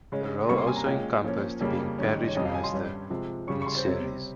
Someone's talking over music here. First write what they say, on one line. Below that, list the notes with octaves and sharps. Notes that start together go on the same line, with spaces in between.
The role also encompassed being parish minister of Ceres.
C#3 G#3 C#4
C3 G3 A#3 C#4 C#6
C6
G#5
A#5
A#2 G#3 C#4 G5
A#2 F3 A#3 C#4
F2 C#3 G3 A#3 C#4
G#2 D#3 G3 C#4
C#5
F2 C3 G3 C#4 D#5
F5
G#5
C6
G2 G3 C#4
C3 F3 G#3
C#3 G3 C#4 C#6
C#6
C6
C5
C3 G3 C4 C#5